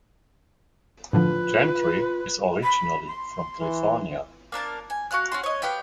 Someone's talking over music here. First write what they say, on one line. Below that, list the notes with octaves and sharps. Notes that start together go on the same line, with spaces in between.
Gentry is originally from California.
A2 D3 F3 F4 B4
B5
C6
E3
A#3 D4 A#4 A5
G#5
F#4 F5 F#6
C#4 F#4 C6
C#5 D#5
B3 G4 F5 G5